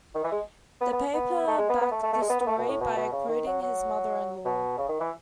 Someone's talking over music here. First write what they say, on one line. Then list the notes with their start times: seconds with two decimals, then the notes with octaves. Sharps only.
The paper backed the story by quoting his mother-in-law.
0.15 D#3
0.24 E3
0.32 G#3
0.81 B3
0.93 B3
1.14 B3
1.47 A3
1.58 G#3
1.69 B3
1.81 B3
1.91 A3
2.03 A3
2.13 A3
2.22 G#3
2.30 B3
2.41 B3
2.47 A3
2.58 B2
2.68 A2
2.80 B2
2.96 B2
3.12 C#3
3.29 D#3
3.46 F#3
3.62 F#3
4.45 B2
4.78 C#3
4.89 D#3
5.00 E3